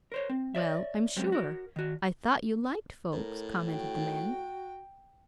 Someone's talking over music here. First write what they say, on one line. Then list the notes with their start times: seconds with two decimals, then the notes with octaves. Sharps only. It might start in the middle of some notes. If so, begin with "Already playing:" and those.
"Well, I'm sure--I thought you liked folks," commented the man.
0.12 A#4 C5 C#5
0.29 C4
0.55 C#5 D5 E5
1.16 F#3 G#3 C4 C#4 G4
1.32 F#4 A#4
1.76 D#3 F#4
3.12 A2 A#4
3.67 F#4 G5